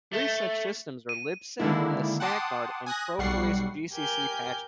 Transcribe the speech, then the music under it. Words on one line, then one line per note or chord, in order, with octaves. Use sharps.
Three such systems are Libsafe, and the "StackGuard" and "ProPolice" gcc patches.
A3
D#7
D3 D#3 G#3 A#3 D4 E4
F#5 G5 A5 C6 D6 D#6
G#5 D#6 F#6 A#6
B1 G3 F#5 C#6 C7
G4 A#4 G#5 G6